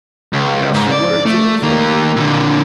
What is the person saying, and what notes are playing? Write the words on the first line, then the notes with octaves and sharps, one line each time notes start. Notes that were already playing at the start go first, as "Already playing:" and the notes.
They asked him where he came from.
C#2
G#2
D5
A3
D#3 A#3
A#2 D3